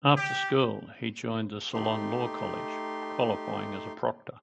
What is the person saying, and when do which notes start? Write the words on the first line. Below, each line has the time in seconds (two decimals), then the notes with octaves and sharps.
After school he joined the Ceylon Law College, qualifying as a proctor.
0.16 G4
1.73 A3 D#4 G4 C6